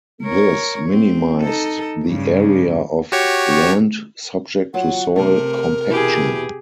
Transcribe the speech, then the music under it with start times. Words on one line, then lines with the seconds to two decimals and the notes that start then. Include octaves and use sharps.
This minimized the area of land subject to soil compaction.
0.23 A#4 C#5
0.89 C4
1.42 D#4 A4
2.06 G2 C#3
3.12 F#4 G4 C#5
4.74 F#3 F4 F#5
5.16 C3 A3 A#4
5.90 B2 E3 E4 G4 G#4